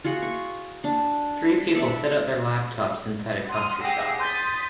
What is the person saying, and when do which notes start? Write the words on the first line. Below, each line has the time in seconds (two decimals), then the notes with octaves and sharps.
Three people sit at their laptops inside a coffee shop.
0.04 F4 F#4 G#4 F#5
0.22 C#6
0.84 D4
1.75 A4 D5 E5 F#5
3.47 F#5 C6 D#6 F6
3.81 G4 G#4 F#5 E6 A#6 C7
4.19 C6 D#6 G6 A6 B6